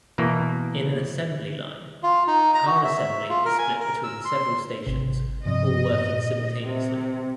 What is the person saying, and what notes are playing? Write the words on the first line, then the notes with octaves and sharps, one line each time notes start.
In an assembly line, car assembly is split between several stations, all working simultaneously.
B2 E3 A#3
F4
D#4
A#5
F#4
E5
F4
A#4
G#5
A#4
E6
C6
G#1 C3
G2 C3 F3 D#5
A#2
C3